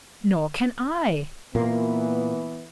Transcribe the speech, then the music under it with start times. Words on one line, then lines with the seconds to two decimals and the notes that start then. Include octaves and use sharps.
"Nor can I."
1.55 A#2 E3 A#3 B3